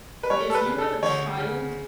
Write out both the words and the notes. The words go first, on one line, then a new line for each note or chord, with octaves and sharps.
If you have a child
B4
G3 C#5
A4
B4
C#3
A4
D2 C#5
C#3